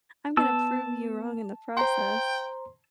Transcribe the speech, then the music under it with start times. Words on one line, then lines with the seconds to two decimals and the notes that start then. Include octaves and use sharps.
I'm gonna prove you wrong in the process."
0.37 B3 A5 E6
1.77 C5 G5 A#5 C6